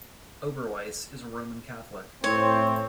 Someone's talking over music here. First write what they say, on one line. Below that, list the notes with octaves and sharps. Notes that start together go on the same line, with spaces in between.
Oberweis is a Roman Catholic.
A2 C4 C#5